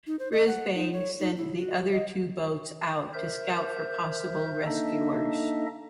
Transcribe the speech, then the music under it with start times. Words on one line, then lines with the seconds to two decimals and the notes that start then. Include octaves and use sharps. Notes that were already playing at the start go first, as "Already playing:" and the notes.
Brisbane sent the other two boats out to scout for possible rescuers.
0.07 D#4
0.19 C5
0.32 D#5
0.47 F#5
0.75 D#4
0.93 C#5
1.20 D#4
1.37 E4
1.57 F#4
1.92 D#5
3.14 A#4 C5 E5 G6
4.66 A#3 D4 D#4 A4 D#5 E5